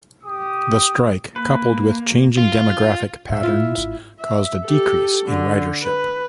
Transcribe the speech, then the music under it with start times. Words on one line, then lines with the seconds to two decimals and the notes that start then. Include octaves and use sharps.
The strike, coupled with changing demographic patterns, caused a decrease in ridership.
0.24 G4 D#6
1.36 A#3 B4
2.37 F4
3.29 A2 E5
3.43 E4 F4
3.78 G#1
4.20 E5
4.65 G4 A4
5.26 D3
5.82 B4